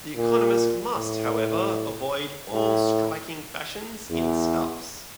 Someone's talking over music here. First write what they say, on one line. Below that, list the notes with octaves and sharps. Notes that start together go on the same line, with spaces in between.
The economist must, however, avoid all striking fashions in stuffs.
A#2
A2
A2
E2